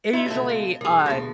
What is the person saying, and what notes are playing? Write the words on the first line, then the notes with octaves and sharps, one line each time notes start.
it usually, uh,
E4 F#4 D#5 C6
C#2 B2 A3 G4
F5
B1 G#4 A#4
D2 B2 G4 G#4 A5